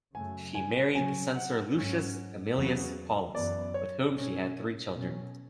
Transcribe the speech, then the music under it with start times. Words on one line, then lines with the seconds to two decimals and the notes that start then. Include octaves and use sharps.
She married the censor Lucius Aemilius Paullus, with whom she had three children.
0.15 F#2 C#3 F#3 A3 G#5
0.55 G#5
0.94 C#3 F#3 C#4 G#5
1.35 F#5
1.74 G#2 F#3 C#4
2.55 E2 C#3 F#3 B3
3.34 F#2 E3 B3 D5
3.74 C#5
4.13 B2 G#3 C#4
4.94 B2 F#3 C#4